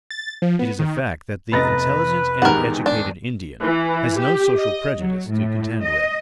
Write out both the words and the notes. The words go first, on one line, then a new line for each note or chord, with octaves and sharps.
It is a fact that the intelligent and educated Indian has no social prejudice to contend with.
A6
F3
B3
D#3
F1 B3 B4 D#5 A#5 A6 A#6
E2 G#2 D#3 D#4 G4 G#4 A#4 F#5
D4
E3
G4
D#5
F#3
A2
D#5